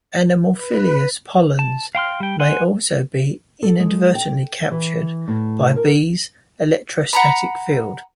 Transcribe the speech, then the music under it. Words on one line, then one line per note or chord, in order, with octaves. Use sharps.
Anemophilous pollens may also be inadvertently captured by bees' electrostatic field.
B4
A5
F5 G5 C6 F6
G3 G5
F#5 G#5 C6
A4
G#3
G5
E3
A2
A#4
F#5 A#5 B5